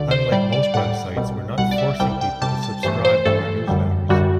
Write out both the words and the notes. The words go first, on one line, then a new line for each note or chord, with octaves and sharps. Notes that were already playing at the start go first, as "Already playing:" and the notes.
Unlike most websites, we're not forcing people to subscribe to our newsletters.
Already playing: D2 D3 A3 D5
C5
A2 G3 D5
D5
D5
A2 G3 F#5
C2 B2 G3
C2 B2 G3 F#5
D5
E5
C2 C3 G3 G5
G5
C2 C3 G3 A5
A5
G2 E3 A3 C5
C5
G2 E3 A3 A4
F#2 D3 G3
F#2 D3 G3 F#4